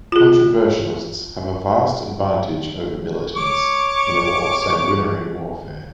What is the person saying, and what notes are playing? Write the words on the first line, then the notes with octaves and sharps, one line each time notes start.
Controversialists have a vast advantage over militants in a more sanguinary warfare.
F4 G#4
C#5 C#6 D6